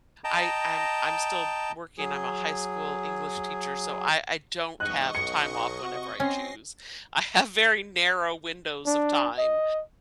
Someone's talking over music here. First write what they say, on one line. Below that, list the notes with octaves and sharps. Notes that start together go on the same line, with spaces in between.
I I'm I'm still working, I'm a high school English teacher, so, I I don't have time off whenever I choose. I have very narrow windows of time.
D#5 G5 A5 A#5
F#3 G#4
E2 G#2 D#5 C#6 F#6
B1 C#7
C3 C4 F#4
C4 C#4 A#6 C7
D4
D#5